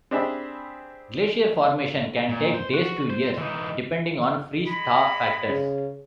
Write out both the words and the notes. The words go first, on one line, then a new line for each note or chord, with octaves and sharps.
Glacier formation can take days to years depending on freeze-thaw factors.
C4 D4 G4 G#4 E5 B5
A#2
C5
F#4
C5
E3 D#4
G#3 B5
C#3